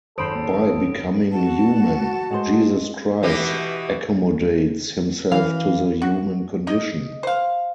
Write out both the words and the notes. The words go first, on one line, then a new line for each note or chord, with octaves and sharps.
By becoming human, Jesus Christ accommodates himself to the human condition.
G#1 F#2 A4 C5 B5 D#6 D7
F#4 F#5 A5
G#3 G#4 C5
B2 E3 G4
E3 F5
F#4
D#4 D#5
C5 F5